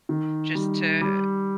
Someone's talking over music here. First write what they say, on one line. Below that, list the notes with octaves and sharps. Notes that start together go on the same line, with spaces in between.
just to
D#3
G3
G3